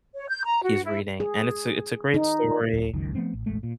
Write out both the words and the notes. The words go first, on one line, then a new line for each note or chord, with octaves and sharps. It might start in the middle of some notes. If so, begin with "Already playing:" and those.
he's reading, and it's a it's a great story,
C#5
G6
A#5
F#4
E4
G#4
D#4
D1
F#1 C#2 F#2 D#3
F3 A3 B3 C4
A1
E1 A1 G#3 A3
A#2